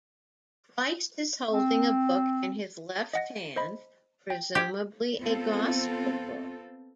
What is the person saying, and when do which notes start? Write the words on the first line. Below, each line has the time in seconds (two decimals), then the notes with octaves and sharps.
Christ is holding a book in his left hand, presumably a Gospel Book.
1.52 C4
3.13 D#5 F#5 A#6
3.56 C5 D#5 B5
4.30 G5
4.55 G4 G6 G#6
5.20 B3 C4 F4 A4